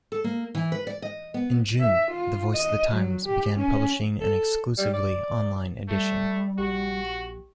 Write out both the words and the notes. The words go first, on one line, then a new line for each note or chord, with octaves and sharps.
In June, the "Voice of the Times" began publishing an exclusively online edition.
A4
A#3
E3
B4
D5
D#5
B3
E5
F4
D#5
F#3
G4
C#4
A4
G3
D5
G3 A3
A#1 F#4 G4